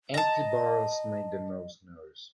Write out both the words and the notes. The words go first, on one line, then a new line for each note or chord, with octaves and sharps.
Empty barrels make the most noise.
D#5 A5 A#5